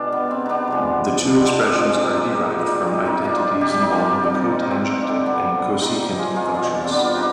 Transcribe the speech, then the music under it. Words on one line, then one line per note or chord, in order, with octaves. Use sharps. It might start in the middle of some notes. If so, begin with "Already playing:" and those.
The two expressions are derived from identities involving the cotangent and cosecant functions.
Already playing: B2 G#3 D4 F4 G4
B3
C4
B3 D4 D#4
C3 F3 G#3
D4
C4
D4 F4
D4 F4
F4 G#4
D#4 G4
B2 G#3 D#4 G4
D#4 G4
F4
D#4
D4 F4
D#4 G4
C4 D#4
D4 F4
C3 G3 D#4 G4
D#4 G4
D4 F4
D4
C4 D#4
C4
D4
D3 G3 C4
B3 D4
C4 D#4
D#4 G4
F4 G#4
F4 G#4
B2 G3 D4 F4
C4
B3 D4
D4 F4
D#4 G4